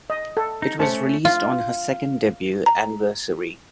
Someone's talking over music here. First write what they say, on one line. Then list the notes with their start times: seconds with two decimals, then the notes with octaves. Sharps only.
It was released on her second debut anniversary.
0.10 D#5
0.37 A4
0.62 D#4
0.79 A3 C#4 C5 A5 C#7
1.25 F4
2.66 A#5